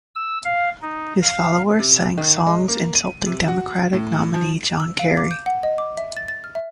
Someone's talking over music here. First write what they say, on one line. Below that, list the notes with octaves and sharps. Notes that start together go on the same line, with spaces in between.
His followers sang songs insulting Democratic nominee John Kerry.
E6
F5
D#4
F5
C3
D#3
G#3
A#3
D#7
C3
F#4
A2
F3
E6
F5
D6
G6
F#5
D#5
D6
E5
A6
A6
F6
E5